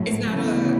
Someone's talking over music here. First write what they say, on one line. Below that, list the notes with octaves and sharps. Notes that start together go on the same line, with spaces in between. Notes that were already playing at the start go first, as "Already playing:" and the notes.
Is that a
Already playing: A2 F#3 A3
D2 C#3 E3 B3